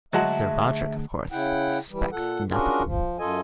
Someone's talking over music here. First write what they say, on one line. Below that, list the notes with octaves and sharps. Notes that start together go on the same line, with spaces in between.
Sir Roderick, of course, suspects nothing.
D2 F#3 G#3 F#4 G#4 E5 A5
C#3 E4 F#5 G5
E3 G3
A#2 A4 F#5
C#4 D4 F4 F#4 G#4 A#4
F3
F#2 F4 A4 D#5 G#5